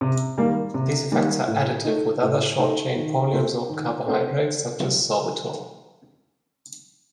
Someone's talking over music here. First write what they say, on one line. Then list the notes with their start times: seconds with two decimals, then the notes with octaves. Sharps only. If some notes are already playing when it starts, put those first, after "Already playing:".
These effects are additive with other short-chain poorly absorbed carbohydrates such as sorbitol.
0.01 C3
0.38 D#3 G3 A#3
0.74 C3
1.11 D#3 G3 A#3
1.48 A2
1.85 A3 D#4
2.22 A2
2.58 A3 D#4
2.96 D#3
3.32 A3 C4
3.69 D#3
4.06 A3 C4